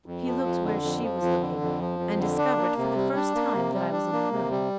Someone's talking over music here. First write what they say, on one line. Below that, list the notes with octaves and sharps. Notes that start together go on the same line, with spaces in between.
He looked where she was looking--and discovered, for the first time, that I was in the room.
F2
F3
F2
D3
F2
F3
F2
D3
F2
F3
F2
D3
D4
A#3
C3
G3
D4
A#3
C3
G3
D4
A#3
C3
G3